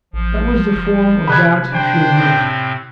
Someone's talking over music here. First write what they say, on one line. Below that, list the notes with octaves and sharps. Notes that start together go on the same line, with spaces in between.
That was the form of doubt he feared most.
A1 F3
F#1
C3 B5 F#6 G#6
D4 C5 G5
A2 C4